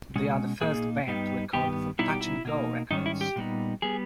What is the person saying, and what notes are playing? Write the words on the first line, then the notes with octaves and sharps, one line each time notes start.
They are the first band to record for Touch and Go Records.
B2 G#3 C#4
A#2 A#3 D#4 G#4
G2 G3 B3 D#4
G2 D#3 G3 B3 G4
B2 G3 B3 D#4 E4
G4
E4
B2 A#3 D#4
G#2 D#3 G3 C#4 D#4
E4
G4
A#2 G3 B3 D#4
G3 B3 G#4